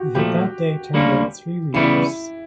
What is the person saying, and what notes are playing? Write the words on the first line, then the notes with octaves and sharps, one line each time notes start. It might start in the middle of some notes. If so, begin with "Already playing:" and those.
He had that day turned out three readers.
Already playing: F#4 G4
A#2 F3 A3 G4
D2 D3 G3 A#3 C#4
C#3 E3 G3 B3 E4